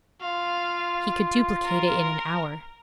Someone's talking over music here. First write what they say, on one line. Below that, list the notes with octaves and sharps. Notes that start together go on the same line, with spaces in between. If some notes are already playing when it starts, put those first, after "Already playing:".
He could duplicate it in an hour.
F4 F5
A#4